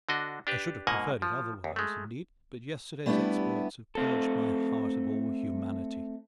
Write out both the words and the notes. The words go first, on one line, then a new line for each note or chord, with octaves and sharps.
I should have preferred it otherwise, indeed; but yesterday's exploits had purged my heart of all humanity.
D3 D4 F#4 D#5
D4 G4 B4
G#2 B2 A#3 D#5 F#5 G#5
F3
D#2
G#3 A3
G3 A3 B3 D4 E4 G4
A3 C4 A4